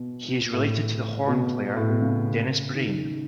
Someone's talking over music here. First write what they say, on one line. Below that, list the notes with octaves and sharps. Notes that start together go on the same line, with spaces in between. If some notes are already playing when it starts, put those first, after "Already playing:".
He is related to the horn player Dennis Brain.
Already playing: B2
A2
B2
A2
B2
C#3
D#3